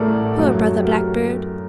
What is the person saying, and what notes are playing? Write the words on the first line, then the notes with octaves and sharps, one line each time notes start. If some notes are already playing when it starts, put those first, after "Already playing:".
Poor Brother Blackbird!
Already playing: A1 A2 A3 A4 A#4 D5
F#2 F#3 A3
G4
A#4